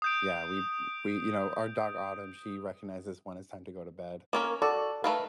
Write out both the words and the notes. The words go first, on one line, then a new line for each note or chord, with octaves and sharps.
yeah, we we you know, our dog, Autumn, she recognizes when it's time to go to bed,
D#6 G6 D7
A#3 C#4 A#4
F#4 A4 D5
A3 A#4 B4 F5